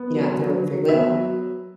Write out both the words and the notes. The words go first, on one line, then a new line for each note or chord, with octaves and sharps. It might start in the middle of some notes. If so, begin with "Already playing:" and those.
you know, at their own free will,
Already playing: B3
F#3
F#3
F#3
B3 E5
F#3